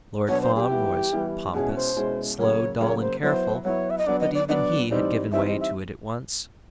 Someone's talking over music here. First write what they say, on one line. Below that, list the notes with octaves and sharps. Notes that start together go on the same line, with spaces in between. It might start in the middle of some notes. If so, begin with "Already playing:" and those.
Lord Fawn was pompous, slow, dull, and careful; but even he had given way to it at once.
B2 F#3 B3 D4 C#5
C5
G#4
G4
E3 G3 B3 E4
E3 G3 B3 E4
B2 G#3 C#4 E4 G#4
C5
B2 G#3 C#4 E4
C#3 F#3 A#3 C#5
C#3 F#3 A#3 C#5
C5
F#3 B3 E4 C5
F#3 B3 E4 C#5
E5
D#5
F#3 B3 D4 D5
D#5
D5
F#3 B3 D4 D5 D#5
E3 G3 C4 D#4 D5
E3 G3 C4 D#4 E5
D#5
E5